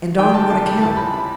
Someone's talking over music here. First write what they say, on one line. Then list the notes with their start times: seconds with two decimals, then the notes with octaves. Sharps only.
"And on what account?"
0.19 D#3 G5
0.34 D2 A5
0.50 C3 A5
0.66 G3
0.82 E3 A5
0.97 C#2 B5
1.13 C3 B5